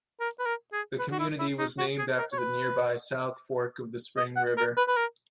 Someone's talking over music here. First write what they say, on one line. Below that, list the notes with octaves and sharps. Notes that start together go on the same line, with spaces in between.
The community was named after the nearby South Fork of the Spring River.
A#4
B4
A#4
G#4
B4
F#4
E4
E4
D#4
F#4
G#4
A#4
C#5
B4
D#5
F#5
A#4
B4
B4
A#4